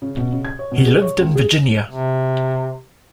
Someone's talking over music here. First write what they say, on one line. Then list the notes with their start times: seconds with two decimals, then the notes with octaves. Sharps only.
He lived in Virginia.
0.02 C#3
0.17 B2
0.32 C#3
0.45 G#6
0.59 C#5
0.72 B2
0.86 G#4
1.02 C#5
1.20 C#2
1.35 G#4
1.87 C3